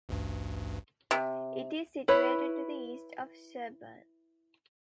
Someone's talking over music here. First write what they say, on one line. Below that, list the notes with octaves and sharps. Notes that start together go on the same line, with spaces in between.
It is situated to the east of Sherburn.
A1 D2 G2
C3
E4 B4 C#5